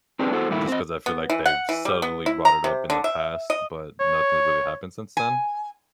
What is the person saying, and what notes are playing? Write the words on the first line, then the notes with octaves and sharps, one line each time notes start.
just 'cause I feel like they've subtly brought it up in the past, but nothing's really happened since then
C4 D4 D#4 G4 G#4 B4
B3 E4 F#4 A4 C5
G2 A#2 D#3 A3 E4
C4 D#5
B3
E3
F#5
E3
G3
B3
E4
A#5
C3
D3
E5
D#5
C#5
G#5